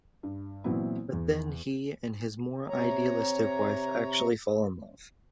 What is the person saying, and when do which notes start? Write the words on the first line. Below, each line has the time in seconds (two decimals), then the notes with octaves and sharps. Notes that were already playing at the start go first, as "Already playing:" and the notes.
But then he and his more idealistic wife actually fall in love.
0.23 G2
0.64 A#2 E3 F#3 B3 C4 E4
1.13 E2
2.69 C3 C#5 A#5